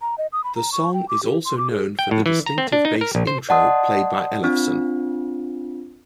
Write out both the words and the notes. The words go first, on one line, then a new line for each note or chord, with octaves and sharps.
The song is also known for the distinctive bass intro played by Ellefson.
A#5
D#5
D#6
B5
A#5
C#6
G5
D6
G4
C6
D6
G#4
G5
A2
E3
A#5
C4
D4
D#4
A#4
A#1
C5
D5 D#5 F#5 A5 C6 D#6
C4 D4 F4